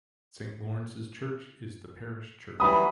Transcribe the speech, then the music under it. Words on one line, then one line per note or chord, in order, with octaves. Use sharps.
Saint Lawrence's Church is the parish church.
E3 F#3 G3 B5 D#6